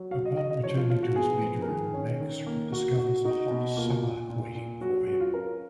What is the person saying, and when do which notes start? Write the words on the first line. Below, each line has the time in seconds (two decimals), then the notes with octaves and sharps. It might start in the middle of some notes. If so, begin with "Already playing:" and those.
Upon returning to his bedroom, Max discovers a hot supper waiting for him.
Already playing: F#3
0.11 F#4 F5
0.25 D#5
0.37 F#4 D#5
0.51 D#5
0.63 F3 C#5
0.77 F4
0.90 F3 F4
1.03 F#4
1.16 B3 G#4
1.42 F3
1.62 A#4
1.68 D#3 G#4
1.94 C#4
2.20 D#3
2.47 A#3
2.72 F#4
2.98 F#4
3.25 D#4 F#4
3.51 B2
3.77 A#3 F4
4.02 A#2
4.30 A#2
4.55 A#2
4.81 F#3 F#4
5.07 C#4 F#4
5.20 F4
5.33 C#4 A#4